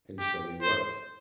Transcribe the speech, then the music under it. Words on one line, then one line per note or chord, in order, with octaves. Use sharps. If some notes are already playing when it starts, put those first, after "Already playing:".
And so he was.
G4
C5